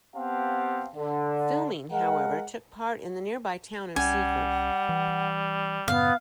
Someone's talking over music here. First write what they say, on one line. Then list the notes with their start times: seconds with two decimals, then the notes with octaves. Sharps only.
Filming however, took part in the nearby town of Seaford.
0.15 B3 C4 G4 F5 F#5 A5
0.95 D3
1.92 G#3 A#4 F5 F#5
3.96 C2 G3 C#4 F#5 G#5
4.89 E3
5.88 F#2 A2 C#3 B3 F5